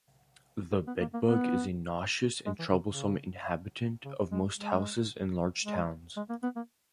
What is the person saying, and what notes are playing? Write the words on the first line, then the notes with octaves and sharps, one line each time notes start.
The bedbug is a nauseous and troublesome inhabitant of most houses in large towns.
B3
A#3
A#3
B3
G#3
E3
C#3
C#3
C#3
G#3
G#3
G#3
G#3
A#3
B3
A#3